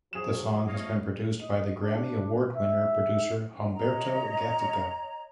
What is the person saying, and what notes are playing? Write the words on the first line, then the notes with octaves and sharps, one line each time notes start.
The song has been produced by the Grammy Award Winner producer Humberto Gatica.
F3 F#3 G#4 E7
F3 A3 B3 C#5 D#5 F5
D#5
D4
E5
C#5 D#5 A#5